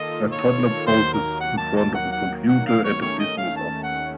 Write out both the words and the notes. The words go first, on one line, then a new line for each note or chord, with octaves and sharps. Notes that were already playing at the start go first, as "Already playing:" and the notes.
A toddler poses in front of a computer at a business office.
Already playing: D#3 A#3 F4 A4 D#5
C#5
D#2 D#3 F#3 A#3 C5
A#4
F#5
A5
A5
F#5
F#5
F#5
F5
C#5
D#2 D#3 A3 C#4 C#5
D#5
F5
A5
F#5